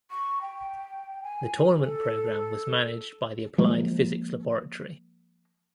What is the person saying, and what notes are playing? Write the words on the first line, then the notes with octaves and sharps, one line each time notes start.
The tournament programme was managed by the Applied Physics Laboratory.
C#6
G5
G#5
A4
F3 G#3 A#3